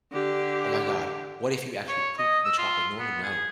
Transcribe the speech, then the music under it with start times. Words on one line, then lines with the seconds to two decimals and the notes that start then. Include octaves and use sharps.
Oh my god. What if you actually pooped in the chocolate? No one would know.
0.12 D3 G4
1.88 C#5
2.19 D#5
2.45 E6
2.58 F4
2.99 B3
3.23 G#4